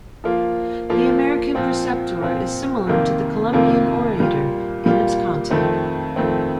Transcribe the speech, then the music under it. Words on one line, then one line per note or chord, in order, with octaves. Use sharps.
"The American Preceptor" is similar to "The Columbian Orator" in its content.
F3 A#3 F4
F3 A#3 F4
A#2 F3 C4
A#2 F3 C4
F2 C3 D#3 A#3 F4
F2 C3 D#3 A#3 F4
A#2 G3 A#3 F4
A#2 G3 A#3 F4
F2 D#3 A3 C4
F2 D#3 A3 C4